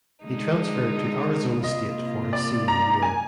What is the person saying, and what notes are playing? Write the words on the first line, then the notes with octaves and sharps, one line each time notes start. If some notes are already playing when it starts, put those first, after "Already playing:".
He transferred to Arizona State for his senior year.
D3 G#3 D#4
C3 G3 A#3 F4 D#5
D5
A#5
G#5